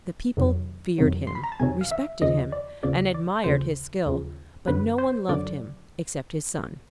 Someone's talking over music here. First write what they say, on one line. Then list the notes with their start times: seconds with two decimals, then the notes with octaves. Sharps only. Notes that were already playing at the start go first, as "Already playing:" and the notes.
The people feared him, respected him, and admired his skill, but no one loved him except his son.
0.37 F2 C3 D#3 F#3
0.98 F2 C3 D#3 F#3
1.27 C6
1.35 B5
1.44 A#5
1.52 A5
1.60 F2 C3 D#3 F#3 G#5
1.81 F5
1.91 E5
2.21 D#2 C#3 F3 D#5
2.52 D5
2.83 D#2 C#3 F3 D5
3.14 D5
3.44 D#2 C#3 F3 C5
4.06 D#2 C#3 F3
4.67 F#2 D3 F#3 B4
4.98 C5
5.29 F#2 D3 F#3 D5